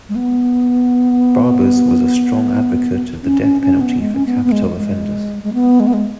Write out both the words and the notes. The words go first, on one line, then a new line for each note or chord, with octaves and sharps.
Barbers was a strong advocate of the death penalty for capital offenders.
G#3
B3
C#4
C#4
C#4
B3
G#3
C#4
B3
B3
G#3
G#3
G#3
B3
G#3
B3
G#3